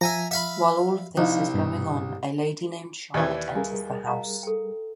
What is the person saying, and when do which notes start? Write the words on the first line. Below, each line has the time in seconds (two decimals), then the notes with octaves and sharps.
While all of this is going on a lady named Charlotte enters the house.
0.01 F3 E5 G#5 A#5
0.31 E5 F5 B5
1.17 C2 F3 D#4 F5
1.54 G2 B2
3.14 D#2 E3 D5 G#6
3.55 G3 G#4 A#4 F5 G#5
4.07 F5 A#5
4.43 A4 G5